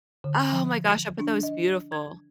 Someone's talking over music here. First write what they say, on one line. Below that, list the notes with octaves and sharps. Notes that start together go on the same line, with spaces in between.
Oh my gosh, I bet that was beautiful.
D3
F3
D4
D#5
G#6